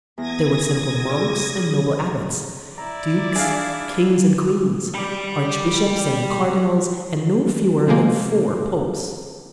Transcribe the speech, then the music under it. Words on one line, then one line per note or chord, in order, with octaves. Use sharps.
There were simple monks and noble abbots; dukes, kings and queens; archbishops and cardinals and no fewer than four Popes.
E2 D#6 G#6 A#6
G#4 D5 E6 F6
E4 D5 A#5
D4 G#4 E5 F5
G3 D5
C3 F3 G#3 A#3